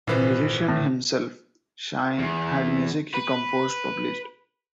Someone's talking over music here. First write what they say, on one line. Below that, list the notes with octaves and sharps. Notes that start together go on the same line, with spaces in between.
A musician himself, Schine had music he composed published.
G#1 A#2 E3 F4 A4 B4 C5
A2
E2
B4